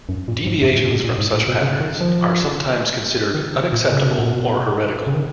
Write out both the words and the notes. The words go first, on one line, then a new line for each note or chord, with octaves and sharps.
Deviations from such patterns are sometimes considered unacceptable or heretical.
F#2
A#2
G#2
F#2
A#2
B2
A#2
G#2
A#2
B2
C#3
D#3
F3
D#3
A#2
C#3
B2
A#2
B2
C#3
D#3